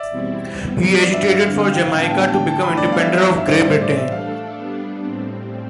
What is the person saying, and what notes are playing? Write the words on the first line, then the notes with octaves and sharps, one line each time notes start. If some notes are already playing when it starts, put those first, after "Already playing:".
He agitated for Jamaica to become independent of Great Britain.
Already playing: D5 E5
E2 B2 G3 C4 E4
G3 B3 E4
G2 E3 G3 D4 D5
E5
F5
E2 D3 G3 C4 E4 F5
F5
G5
A2 G3 B3 D4 F5
A5
G5
A5
D3 A3 D4 A4 G5
A5
B5
G3 B3 E4 D5
F5
E5
G2 E3 G3 D4 F5
E5
C5
D5
A2 E3 G3 C5
D5
E5
A3 D4 A4 F5
G3 B3 D4
A2 G3 C4